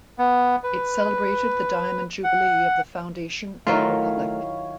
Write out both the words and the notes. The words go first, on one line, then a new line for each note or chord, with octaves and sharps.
It celebrated the diamond jubilee of the foundation of the republic.
B3
B4
F#5
D#3 F#3 A3 E4 F4 A#4 C#5 F5